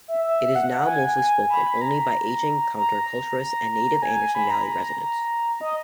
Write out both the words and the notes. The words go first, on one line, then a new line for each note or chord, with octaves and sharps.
It is now mostly spoken only by aging counter-culturists and native Anderson Valley residents.
E5
E5
F#5
G#5
B5
A#5
A#5
A#5
A#5
A#5
G#5
B5
A#5
A#5
D#5